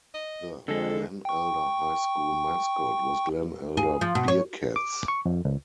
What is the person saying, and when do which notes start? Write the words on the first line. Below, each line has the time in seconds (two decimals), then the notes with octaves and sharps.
The Glen Elder High School mascot was Glen Elder Bearcats.
0.14 D#5
0.68 F2 D3 G#3 A4
1.25 G5 C#6
3.77 G#4
4.01 F3
4.15 B2
4.28 C#5
4.76 D6
5.08 C#6
5.25 F2
5.45 C#2